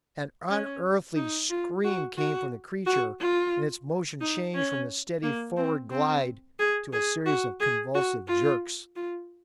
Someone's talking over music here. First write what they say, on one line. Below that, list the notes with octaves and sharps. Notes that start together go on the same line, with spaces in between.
An unearthly scream came from the creature, and its motion changed from a steady forward glide to a series of convulsive jerks.
C#4
D#4
F4
F#4
F#4
F#4
F4
D#4
C#4
A#3
C4
C4
G#4
G#4
F#4
G#4
F#4
F4
F4